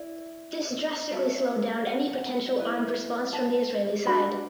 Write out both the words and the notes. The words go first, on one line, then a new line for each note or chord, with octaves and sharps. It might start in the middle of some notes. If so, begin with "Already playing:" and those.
This drastically slowed down any potential armed response from the Israeli side.
Already playing: E4 D5
F#4 A4 E5
F#5
E4 B4
A5
D4 F#4 B4 B5